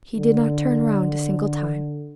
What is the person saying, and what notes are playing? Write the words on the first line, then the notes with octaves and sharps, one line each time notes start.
He did not turn round a single time.
D3